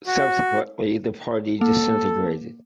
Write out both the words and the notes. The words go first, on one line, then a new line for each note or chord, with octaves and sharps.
Subsequently the party disintegrated.
F#4
A#3 A4